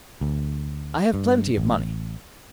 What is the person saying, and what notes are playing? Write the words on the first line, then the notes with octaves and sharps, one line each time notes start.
I have plenty of money.'
D2
G2
A1